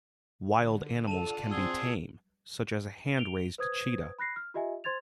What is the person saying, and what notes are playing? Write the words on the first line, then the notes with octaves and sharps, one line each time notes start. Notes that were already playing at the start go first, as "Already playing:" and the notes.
Wild animals can be tame, such as a hand-raised cheetah.
D3
F4 A4 D5 F#5 A5 D#7 F7
C4 G#4 E6 G7
D7 F7 G7
B4 C5 D#6 G#6
B5 F#6 A#6 C7
F6
F4 G4 D#5 E5 G#5
C5 C6 G#6 A6 F7